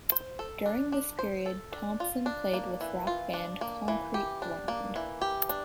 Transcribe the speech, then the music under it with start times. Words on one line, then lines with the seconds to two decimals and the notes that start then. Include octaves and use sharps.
During this period Thompson played with rock band Concrete Blonde.
0.12 C5
0.39 A4
0.66 D4
0.92 D4
1.19 C5
1.46 A4
1.72 D4
2.00 F4
2.26 D4
2.53 A#3
2.81 E3
3.07 F4
3.34 D4
3.61 A#3
3.88 E3
4.14 G4
4.42 D4
4.68 A#3
4.96 E3
5.21 G4
5.49 D4